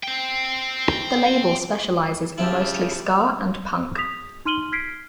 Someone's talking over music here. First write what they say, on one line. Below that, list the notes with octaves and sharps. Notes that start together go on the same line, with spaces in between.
The label specializes in mostly ska and punk.
C5 G5
C#3 C4 E4 F4 G4 A5
D#6 B6 F7
D#4 C6 F6 D#7 F#7 G7
F6 G#6 B6 C7 D7